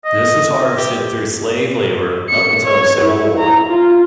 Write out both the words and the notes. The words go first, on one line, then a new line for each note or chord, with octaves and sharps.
This was harvested through slave labor up until the Civil War.
D#5
G4
C#7
C#5
E4
A#5
F4